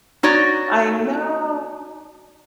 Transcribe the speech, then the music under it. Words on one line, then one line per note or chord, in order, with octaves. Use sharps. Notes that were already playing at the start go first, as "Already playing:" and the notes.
I know,
D#4 F#4 C#5 D5